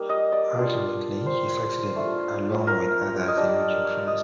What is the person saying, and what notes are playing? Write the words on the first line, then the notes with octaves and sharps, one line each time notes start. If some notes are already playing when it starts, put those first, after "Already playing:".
Ultimately he succeeded along with others in reaching France.
Already playing: G3 A#3 D#4
D#5
D5
G3 D4 F4
C5
A3 D4 F4
A#4
D#5
G3 A#3 D4 D5
D#5